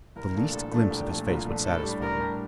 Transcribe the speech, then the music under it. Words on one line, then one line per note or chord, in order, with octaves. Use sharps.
The least glimpse of his face would satisfy me.
C2 A#4
A#2 F3 A3 D4
C2 A4
A#2 F3 A3 D4
C2 G4
A#2 F3 A3 D4
C2 F4
A#2 F3 A3 D4
A2 A4
G3 D4 G4
A2 A#4
G3 D4 G4